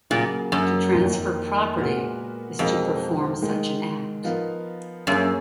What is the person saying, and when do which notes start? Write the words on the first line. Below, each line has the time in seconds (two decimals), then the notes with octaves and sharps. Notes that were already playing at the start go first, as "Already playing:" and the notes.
To transfer property is to perform such an act.
0.10 A#2 C#3 F#3 A#3
0.52 F#2
0.94 F2 D#3 A#3
1.77 A#2 G#3 B3 F#4 A#4
2.59 F2 B2 G#3 D#4 A#4 F5
3.42 G#2 D#3 G#3 D#4
4.24 F3 B3 D#4 A#4 F5
5.07 F#2 A#3 C#4 G#4 C#5 F5